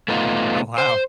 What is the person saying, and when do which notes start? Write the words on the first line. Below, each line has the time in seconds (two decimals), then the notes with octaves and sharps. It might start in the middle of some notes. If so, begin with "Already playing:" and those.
Oh, wow.
0.08 A3 B3 D#4 F4
0.78 C5